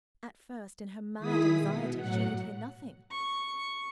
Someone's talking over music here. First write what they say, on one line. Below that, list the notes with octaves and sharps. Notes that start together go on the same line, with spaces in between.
At first, in her mad anxiety, she could hear nothing.
D#3 G#3 E4 G#4 D#6 B6
B2
A2 F#3 F#5
C#6